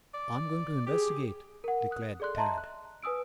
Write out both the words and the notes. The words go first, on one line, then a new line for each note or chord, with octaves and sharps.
"I'm going to investigate," declared Tad.
D5
G4 G#4
A#4 F#5
D#6 F#6
G#4 A4 D5 C6 F#6
D#5 E5 A5 A#5 C6
F#6
B4 G#5 D#6 E6 D7